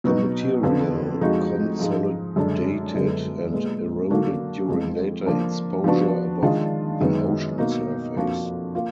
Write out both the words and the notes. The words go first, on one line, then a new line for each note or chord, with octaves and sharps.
The material consolidated and eroded during later exposure above the ocean surface.
B2 F#3 B3 D#4 F#4
F2 D3 F3 B3 D4
F2 F3 G#3 D#4 F#4
G#2 F3 G#3 D#4
F#2 D3 G#3 D4
F#2 D3 G#3 B3
A#2 G#3 B3
D3 F#3 A#3 D4 F#4
F2 F3 G#3
F3 A#3 D4
F3 B3 D4 F#4
D#3 G#3 D4 F4
F#2 D#3 G#3 B3 D#4
B2 A#3 D#4 F#4
F2 F3 A#3 D4 F#4
A#3 F4